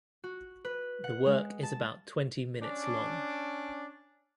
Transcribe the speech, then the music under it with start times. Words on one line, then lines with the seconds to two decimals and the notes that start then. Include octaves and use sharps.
The work is about twenty minutes long.
0.24 F#4
0.65 B4
1.04 F#5
1.26 G#3
1.63 A5
2.62 C#4 D4